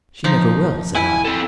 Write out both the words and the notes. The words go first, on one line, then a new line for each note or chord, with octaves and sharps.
"She never will," said I.
F3 D#4
E4 G#5
C4 A4